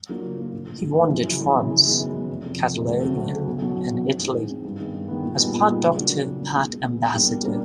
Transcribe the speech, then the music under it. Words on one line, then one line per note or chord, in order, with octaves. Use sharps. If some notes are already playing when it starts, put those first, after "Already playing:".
He wandered France, Catalonia, and Italy, as part doctor, part ambassador.
F#3 A#3 D4 F4
C#3
F#3 A#3 D4 F4
A#1
A2 F3
A#1
A2 F3
F#2
C#3 E3
F#2
C#3 E3
F#2
D#3 G#3 B3
F#2
D#3 G#3 B3
F1
F2 C3 F3 A3
F1
F2 C3 F3 A3
D2
C#3 F#3 A3
D2
C#3 F#3 A3
B1
B2 F#3
B1
B2 F#3
G#2
E3 G#3 C4
G#2
E3 G#3 C4
G2
D#3 G#3 B3
G2
D#3 G#3 B3
A#2
G3 B3 D#4 G#4
A#2
G3 B3 D#4 G#4
C#3
F#3 A#3 D4
C#3
F#3 A#3 D4
C#2
B2 G#3 B3
C#2
B2 G#3 B3
B2
G3 A#3 D4
B2
G3 A#3 D4